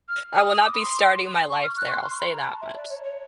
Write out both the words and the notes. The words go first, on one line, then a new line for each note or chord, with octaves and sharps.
I will not be starting my life there, I'll say that much.
F6
D#6
D#6
D6
B5
C6
C#6
F6
F#6
C#6
C6
C6
B5
A#5
A5
E5
D5
C#5
C#5